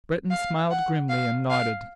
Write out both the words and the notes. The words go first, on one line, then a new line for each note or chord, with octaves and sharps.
Breton smiled grimly and nodded.
F5
F#5
F5
F5